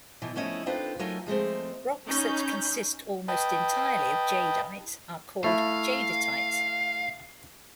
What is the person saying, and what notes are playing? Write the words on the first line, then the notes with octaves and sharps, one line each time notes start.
Rocks that consist almost entirely of jadeite are called jadeitite.
B2 E3 F3
F3 A3 C#4 E4 D#5
C4 D4 D#4 F4 A4 B4
F#3 A3 D#4 F4 A#4 G#5
F3 G#3 A3 C4
C#4 D#4 B5 G6
B4 D#5 G5 A5
A3 E4 F5